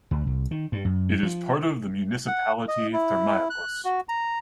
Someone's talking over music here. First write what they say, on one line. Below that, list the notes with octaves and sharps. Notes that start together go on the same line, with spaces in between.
It is part of the municipality Thermaikos.
D2
C2
D#3
G2
F#2
F3
F#5
D#5
E4
F#6
F#4
A#5